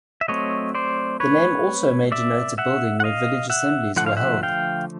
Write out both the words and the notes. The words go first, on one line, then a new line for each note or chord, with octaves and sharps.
The name also may denote a building where village assemblies were held.
E5
F#3 A3 C4 C#5 D#5
C5 D5
B4 C#5
D5 E5
E5 F#5
F#5
D#5 F5
E5 F#5
D3 F3 A3 F#5
F5
E5 F#5
F5 G5